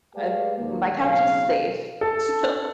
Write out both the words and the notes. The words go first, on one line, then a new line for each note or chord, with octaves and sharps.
I've my couch is safe, so
G#3 A3 G4 B4 D5 F5
D#2 A#2 F3 A#3
B1 C#3 F#3 F5
A4